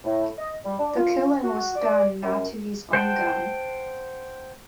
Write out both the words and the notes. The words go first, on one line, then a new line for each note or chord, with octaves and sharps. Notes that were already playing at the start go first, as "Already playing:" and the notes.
The killing was done not to his own gun.
A2
D#5
G3
D4
F4
F#4
D5
F#2
C5 F#5 G5 A5